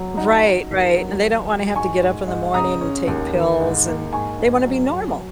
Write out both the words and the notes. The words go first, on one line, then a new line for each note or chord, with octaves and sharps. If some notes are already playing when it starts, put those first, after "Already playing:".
Right, right, and they don't wanna have to get up in the morning and take pills, and they want to be normal,
Already playing: F#3
D#4 F#5 A#5
D#4
D#2
F#3
F#3
F#3
G#2 G#5 C#6
G#2
G#2
C#3 A#5 D#6
C#4
D#2
D#3
G#2
A#3
G#2 G#5 C#6
G#2
F#3
F#3